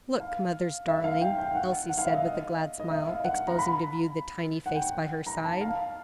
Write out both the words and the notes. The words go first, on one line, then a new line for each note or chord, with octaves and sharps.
"Look, mother's darling," Elsie said with a glad smile, exposing to view the tiny face by her side.
F5
E5
F5
G5
G5
F#5
F#5
F5
E5
D#5
D#5
E5
F5
F#5
A#5
B5
F#5
G5
A#5
A5
F5